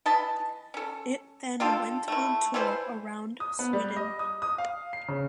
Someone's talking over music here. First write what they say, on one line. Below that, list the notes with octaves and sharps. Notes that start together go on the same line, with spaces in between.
It then went on tour around Sweden.
E3 D#5 A5 B5
C#4 A4
D4 F4 G4 A4
A3 E4
E3 G3 E4 C5
D#6
B3
G3
D#5
D#6
D#6
F5
C7
C#3